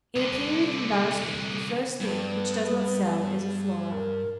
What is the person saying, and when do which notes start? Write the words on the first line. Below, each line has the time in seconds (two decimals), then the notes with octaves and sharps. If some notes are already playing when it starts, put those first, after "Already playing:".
In a period of embarrassment, the first thing which does not sell is a Flora.
0.16 C2 D3
2.00 G2 B3
3.92 A#4